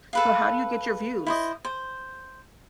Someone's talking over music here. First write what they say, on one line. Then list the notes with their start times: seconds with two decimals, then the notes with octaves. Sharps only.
So how do you get your views?
0.13 A4 B4 F5
1.26 E4 C5 D#5
1.65 C5